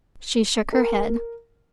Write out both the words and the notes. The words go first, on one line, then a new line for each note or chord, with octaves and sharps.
She shook her head.
A#4